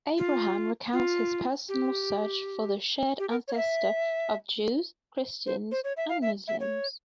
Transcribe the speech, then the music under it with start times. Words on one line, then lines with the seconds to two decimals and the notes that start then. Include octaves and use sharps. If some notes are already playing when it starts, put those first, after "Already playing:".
"Abraham" recounts his personal search for the shared ancestor of Jews, Christians, and Muslims.
0.18 F4
0.93 F4
1.69 G4
3.19 G4
3.29 A#4
3.48 C#5
3.54 F5
3.57 E5
5.46 C5
5.71 C5
5.84 C#5
5.97 E5
6.09 F5
6.22 E5
6.48 E5
6.60 C#5